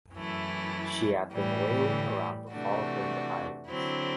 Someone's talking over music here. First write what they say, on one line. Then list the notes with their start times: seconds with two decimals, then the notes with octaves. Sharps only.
She had been whaling around the Falkland Islands.
0.15 F#2 E3 A3 E4
1.32 A2 E3 G3
2.51 C3 E3 A3 D4 F#4
3.68 D3 F#3 C4 E4